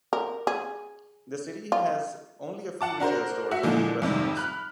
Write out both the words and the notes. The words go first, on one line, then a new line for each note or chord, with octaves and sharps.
The city has only a few retail stores and restaurants.
A#4
G#4
F4
F#5 A5 D6
D4 F#4 A#4 C5
F#4 E5 C#7
A#2 D3 E3 F3 G#3 G#4
F2 G#2 C3 D#3 G3
B5 F6 F#6